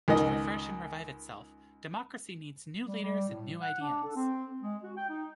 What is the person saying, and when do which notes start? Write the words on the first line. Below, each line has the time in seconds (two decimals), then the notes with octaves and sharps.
To refresh and revive itself, democracy needs new leaders and new ideas.
0.08 C#2 D#3 D#5
2.87 G3
3.03 G3
3.29 A2
3.61 F#5
3.81 D4
4.04 A4
4.16 C4
4.63 G#3
4.84 F#4
4.97 G5
5.10 D#4